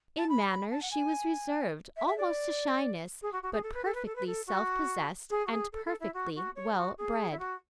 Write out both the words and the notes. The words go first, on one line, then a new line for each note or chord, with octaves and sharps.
In manner she was reserved almost to shyness, but perfectly self-possessed, and perfectly well-bred.
A5
B5
B5
A5
F#5
G#5
E5
E5
D5
G#4
F#4
F#4
G#4
A4
B4
A4
B4
A4
B4
A4
F#4
G#4
F#4
G#4
A4
A4
E4
F#4
F#4
C#5
G#4
F#4
G#4
E4
F#4